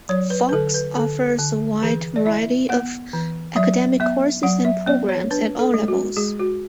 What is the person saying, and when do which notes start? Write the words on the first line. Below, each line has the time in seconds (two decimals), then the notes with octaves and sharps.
Fox offers a wide variety of academic courses and programs at all levels.
0.09 F#3 C#5
0.30 B4
0.49 B4
0.52 D3 A4
0.74 B4
0.96 D3 A4
1.39 D3
1.83 E3 G#4
2.16 D5
2.26 E4 E5
2.69 B3 F#5
3.13 E3
3.56 F#3 E5
4.00 B3 E5
4.43 F#3 F#5
4.65 E5
4.86 B3 D5
5.09 C#5
5.31 D4 B4
5.59 A4
5.74 G#3
5.88 F#4
6.17 G#3 G#4
6.39 F#4